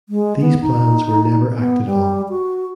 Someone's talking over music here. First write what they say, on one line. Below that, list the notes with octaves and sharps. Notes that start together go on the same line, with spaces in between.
These plans were never acted on.
G#3
B3
D#4
B3
G3
F#4